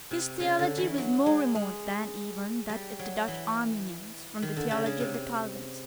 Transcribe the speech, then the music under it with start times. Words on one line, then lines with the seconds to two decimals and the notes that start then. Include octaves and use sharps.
His theology was more remote than even that of the Dutch Arminians from the theology of the Calvinists.
0.11 C3
0.40 C#3
0.59 D3
0.77 E3
0.98 F#3
1.26 G#3
1.55 G#3
2.69 G3
2.99 F#3
3.28 E3
4.42 D#3
4.56 D3
4.71 C#3
4.86 C#3
5.00 C3